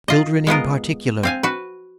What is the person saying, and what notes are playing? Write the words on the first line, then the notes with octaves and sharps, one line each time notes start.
"Children in particular."
F4 D#5
G#3 B3 F4 A#4
C4 F5 G#5
F#4 B4